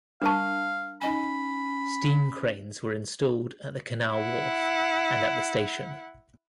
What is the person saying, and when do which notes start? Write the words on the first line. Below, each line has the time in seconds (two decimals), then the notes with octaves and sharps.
Steam cranes were installed at the canal wharf and at the station.
0.22 G3 D4 A#4 F5 A5 C#6
1.02 C#4 D#4 D#5 G#5 B5
4.10 E4 F#5